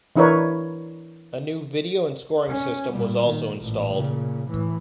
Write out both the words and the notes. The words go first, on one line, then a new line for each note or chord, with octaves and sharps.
A new video and scoring system was also installed.
E3 D4 E4 A#4 B4 C#5
C#4
A#2 G3
D#3
A1 A#2
A#2 C#3
A2 E3